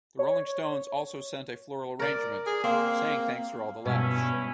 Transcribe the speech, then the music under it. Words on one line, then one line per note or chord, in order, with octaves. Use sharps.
The Rolling Stones also sent a floral arrangement, saying "Thanks for all the laughs".
C#5
A#4 D5
G#4
A#3 C4
G2 B2 C#4 E4